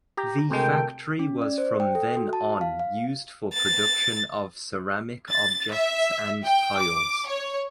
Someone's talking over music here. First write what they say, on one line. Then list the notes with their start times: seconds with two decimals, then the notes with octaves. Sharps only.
The factory was from then on used for production of ceramic objects and tiles.
0.17 G4 A#5
0.51 D2 C3 G#3 A4 A#4 G5
1.19 C#4
1.42 D5
1.58 C5
1.80 G5
1.95 A4
2.17 F#4
2.33 A5
2.61 F5
2.80 F5
3.53 A6
5.29 A6
5.73 E5
6.43 G5
6.78 D6
7.26 C#5